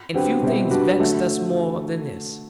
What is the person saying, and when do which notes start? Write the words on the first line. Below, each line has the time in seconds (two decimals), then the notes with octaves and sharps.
And few things vexed us more than this.
0.14 D3 F#3 C4 G4 B4
0.42 B2 G3 C4 E4
0.71 G3 D4 F#4 B4
0.99 D3 F#3 A3